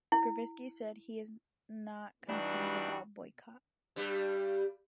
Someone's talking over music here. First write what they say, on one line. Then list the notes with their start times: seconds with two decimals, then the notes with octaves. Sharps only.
Gruevski said that he is not concerned about boycott.
0.12 E4
2.28 G2 E3 G3 D4 D#4 F#4
3.96 G2 G3